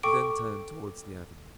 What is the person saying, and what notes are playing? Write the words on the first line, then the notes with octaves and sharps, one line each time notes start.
She then turned towards the avenue.
A4 G5 C#6 D6 D7